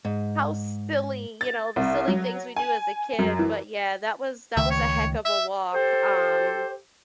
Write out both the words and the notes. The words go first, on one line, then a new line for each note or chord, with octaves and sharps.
how silly you know, the silly things we do as a kid, but yeah, that was that was a heck of a walk, um
G#2
A6
C2
F#3
G#5
F#2
E3
C#2 D#3 A3 E5
C#5
E5
G4 A4 C5